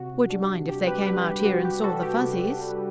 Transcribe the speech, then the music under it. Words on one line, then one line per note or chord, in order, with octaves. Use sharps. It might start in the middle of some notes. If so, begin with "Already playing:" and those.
"Would you mind if they came out here and saw the Fuzzies?"
Already playing: C3 F#4
G3 D4
C3 G4
G4 B4
G3 D4 G4 B4
G4
C3 F#4
G4
G3 D4 F#4 A4
G4
C3
G3 D4